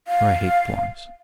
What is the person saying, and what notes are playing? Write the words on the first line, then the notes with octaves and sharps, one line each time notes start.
For I hate Florence.
F5